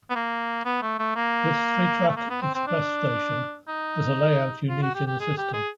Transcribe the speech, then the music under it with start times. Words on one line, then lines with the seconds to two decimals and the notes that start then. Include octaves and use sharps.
This three-track express station has a layout unique in the system.
0.10 B3
0.15 A#3
0.65 B3
0.82 A3
0.99 A3
1.16 A#3
2.08 A3
2.16 A#3
2.30 B3
2.42 C4
2.55 C4
2.67 D4
3.68 D#4
4.69 F4
4.82 F#4
4.95 G4
5.07 G4
5.20 G#4
5.37 G4
5.53 G#4